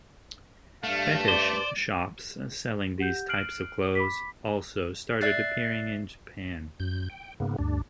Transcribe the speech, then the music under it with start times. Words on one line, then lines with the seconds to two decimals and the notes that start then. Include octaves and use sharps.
Fetish shops selling these types of clothes also started appearing in Japan.
0.84 G2 A3 F5
1.28 C5 D5
2.98 G4 F#5 G6
3.28 F6 F#6 C7 D7 F#7
3.95 B5 D6 B6
5.21 D5 E5 F#6 A6 C7
6.80 F#2 G6
7.10 G5
7.40 G#2 C#3 A#3 B3
7.59 D2 G2 D4